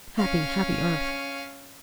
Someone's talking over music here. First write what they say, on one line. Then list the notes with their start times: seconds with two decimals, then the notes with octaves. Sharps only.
Happy, happy earth!
0.18 C#4 F5